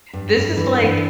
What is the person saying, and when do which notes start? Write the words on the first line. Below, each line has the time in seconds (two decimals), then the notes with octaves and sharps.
this is, like
0.13 G2
0.36 G2
0.57 E3
0.80 G2 D4